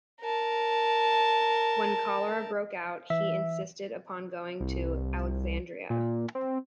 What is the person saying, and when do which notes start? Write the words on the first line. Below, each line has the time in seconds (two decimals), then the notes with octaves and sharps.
When cholera broke out, he insisted upon going to Alexandria.
0.21 A#4 A5
3.10 E3 E5
4.60 C2
5.90 A#2
6.35 C4